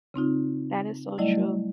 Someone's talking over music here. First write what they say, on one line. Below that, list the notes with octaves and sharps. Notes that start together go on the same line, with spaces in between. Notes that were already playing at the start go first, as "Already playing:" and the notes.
That is so true.
C#3 C4 D#4 F4
F#3 G3 A3 E4 D5 D#5